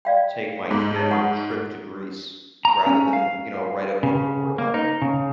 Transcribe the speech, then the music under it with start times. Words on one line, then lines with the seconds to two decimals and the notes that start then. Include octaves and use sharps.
take my kid on a trip to Greece rather than, you know, write a book report about it.
0.05 D5 F5 G5
0.71 G#2
0.96 D#4 C#5
1.11 F#5 C#6 D#6
2.65 A#5
2.87 C#4
3.13 F5
4.03 C#3
4.58 A#3
4.74 D#4
5.02 C#3